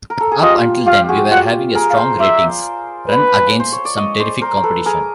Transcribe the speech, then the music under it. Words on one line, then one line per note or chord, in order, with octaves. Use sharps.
Up until then, we were having a strong ratings run against some terrific competition.
A#4
A4
G#4
F4 G4 D#5
F4 G4 F5
F#4 G#4
F4 G4 F#5
G#4 A#4
F5
A#4 C5
C5 D5 E5
B4
C5
C#5
D5
C#5 D#5
C5 D5
A#4 C5
A4 B4
G#4 A#4